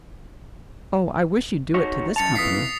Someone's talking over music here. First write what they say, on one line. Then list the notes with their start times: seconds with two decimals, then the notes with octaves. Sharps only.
"Oh, I wish you'd do it to this company."
1.74 D#4 F#4 C#5
2.16 F#2 A5 A6 C#7 F7
2.35 F2 E3 D#6 B6 C7